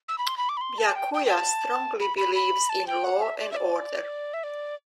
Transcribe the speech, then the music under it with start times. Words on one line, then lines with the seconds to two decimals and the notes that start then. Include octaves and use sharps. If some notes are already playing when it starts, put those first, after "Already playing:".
Byakuya strongly believes in law and order.
0.08 E6
0.18 B5
0.27 C6
0.37 B5
0.49 D6
0.57 B5
0.61 C6
0.78 A5
0.95 G5
1.14 G5
1.26 G5
1.30 A5
2.01 B5
2.17 B5
2.35 B5
2.69 A5
2.87 G5
3.04 F#5
3.21 E5
3.39 D5
3.52 E5
3.56 D5
4.34 E5
4.44 D5